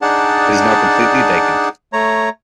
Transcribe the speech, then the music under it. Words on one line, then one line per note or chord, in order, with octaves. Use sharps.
It is now completely vacant.
D4 D#4 G#4 D5 F#5 A5
A3 C#5 A#5